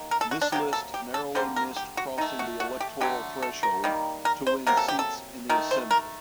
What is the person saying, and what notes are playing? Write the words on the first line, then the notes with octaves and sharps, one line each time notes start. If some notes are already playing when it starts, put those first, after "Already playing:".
This list narrowly missed crossing the electoral threshold to win seats in the assembly.
Already playing: D#3 A#3
A#4
A4
F#4
D4
C3 F#3 A#3 G4
A4
G4
A4
D3 G3 A#3 C5
A#4
G4
F#4
D#3 A3 D#4
F#4
F#4
G4
D3 F#3 A3 G4
A4
A#4
D#3 G3 A#3
A#4
C5
C3 F#3 A#3 A#4
A4
G4
A4
D#3 A3 A#4
C5
A#4